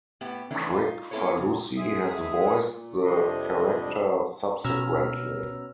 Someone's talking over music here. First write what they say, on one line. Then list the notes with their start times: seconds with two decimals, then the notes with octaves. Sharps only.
Kricfalusi has voiced the character subsequently.
0.21 A2 B3 G4
0.51 D#3 E3 A3 C#4 D4
0.73 D#4 F4
1.11 A#3 C4 E4 A4 B4 C#5
1.37 C#3
1.77 G#3 G#4 E5 D#6
2.63 A#2
3.04 F2 C3 G3 D4 D#5
4.64 B2 C#4 A#5 E6 F6